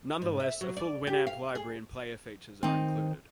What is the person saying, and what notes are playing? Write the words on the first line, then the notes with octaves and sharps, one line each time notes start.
Nonetheless, a full Winamp Library and player features are included.
G#2
E5
F#3
D5
G4
F5
G#4
D#3 C4 D#4